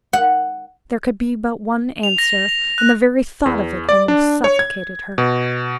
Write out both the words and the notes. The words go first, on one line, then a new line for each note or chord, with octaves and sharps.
There could be but one answer, and the very thought of it almost suffocated her.
F#5
F7
A#6
F7
F#6
E2
D5
D4
C#5
G#6
B2